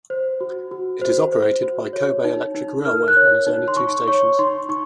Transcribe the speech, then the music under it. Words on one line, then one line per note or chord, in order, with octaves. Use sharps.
It is operated by Kobe Electric Railway and has only two stations.
C5
F#4
F#4
C5
C5
F#4
C#5
D#4
D#4
A#4 F6
F#6
C#5
D#4
C6
D#4 C#6
C#5 C#6
D#4 C6
D#4 C#6